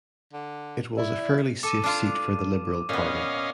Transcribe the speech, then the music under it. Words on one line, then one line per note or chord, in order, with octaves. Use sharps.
It was a fairly safe seat for the Liberal Party.
D3
E4 D5
A4 D6 D#7
D4 F4
A#2 B3 C#4 D#5 F5